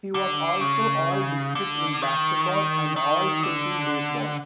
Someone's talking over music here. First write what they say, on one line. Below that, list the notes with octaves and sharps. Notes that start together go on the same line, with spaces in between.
He was also All-District in basketball and All-State in baseball.
D3
C#3
D3
D#3
D#3
D3